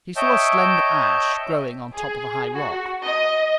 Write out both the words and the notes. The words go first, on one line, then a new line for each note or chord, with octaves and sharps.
He saw a slender ash growing on top of a high rock.
C#5 D#5 E5 G5 A5 G6
G#4
F#4
D#5